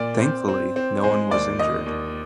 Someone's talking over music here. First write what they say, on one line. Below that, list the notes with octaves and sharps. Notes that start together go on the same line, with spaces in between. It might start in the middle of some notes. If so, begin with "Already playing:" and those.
Thankfully, no one was injured.
Already playing: A#2 D5
C4
C4
C4
G#3 C5
D#2 D5
D#2 D#5
D#2